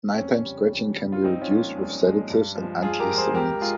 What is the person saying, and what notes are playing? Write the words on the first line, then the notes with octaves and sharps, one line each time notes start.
Nighttime scratching can be reduced with sedatives and antihistamines.
C4
F2 C#4
C#3 G3
F2
C#3 G3
F4
C2 C4 D#4
C#4 F4
A#2 F3 G#3
C2
A#2 F3 G#3
G2
F3 G#3
G2 F4 G#4
G4 A#4
F3 G#3
G#4 C5
C#2 G4 A#4
G#3 F4 G#4